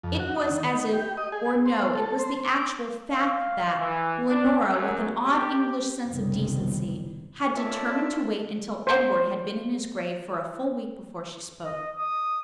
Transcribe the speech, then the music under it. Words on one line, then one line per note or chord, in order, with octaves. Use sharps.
It was as if--or no, it was the actual fact that--Leonora with an odd English sense of decency had determined to wait until Edward had been in his grave for a full week before she spoke.
F2
F#4
D#4
D#3
D#4
G4
D#5
G#4
C5
A4
C5
D6
F5
E3
D4
F#2
G4
F#1 B1 F#2 C3 D#3 G3
A3 D4 F4 A#4 C#5 D5 E5 A5
C5
D#5
D#6